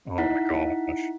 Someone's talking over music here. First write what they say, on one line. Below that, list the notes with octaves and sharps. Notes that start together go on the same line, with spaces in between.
Oh my gosh.
D#4 E4 F#5 B6